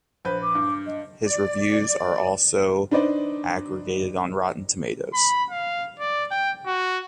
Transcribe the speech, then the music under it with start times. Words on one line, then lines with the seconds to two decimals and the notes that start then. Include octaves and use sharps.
His reviews are also aggregated on Rotten Tomatoes.
0.25 A#1 B4 C5 G6
0.42 D6
0.55 G2
0.86 D#5
1.26 D5
2.91 D4 D#4 B4 C5 D5
5.14 B5
5.51 F5
5.99 D5
6.31 G5
6.66 F#4